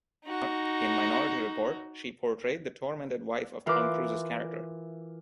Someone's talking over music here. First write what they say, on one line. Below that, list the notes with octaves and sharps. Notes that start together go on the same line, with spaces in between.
In "Minority Report", she portrayed the tormented wife of Tom Cruise's character.
D#4 F#4
E3 F4 A#4 B4 C6 D6